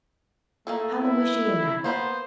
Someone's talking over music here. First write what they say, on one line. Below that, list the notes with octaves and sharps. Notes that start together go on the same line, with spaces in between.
"How long was she in there?"
A3 A#3 G#4 A4
E4
A#3 B3 C5 B5